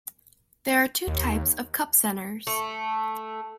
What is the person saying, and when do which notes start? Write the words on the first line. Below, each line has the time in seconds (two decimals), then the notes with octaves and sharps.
There are two types of cup centers.
1.07 D#2
2.47 A3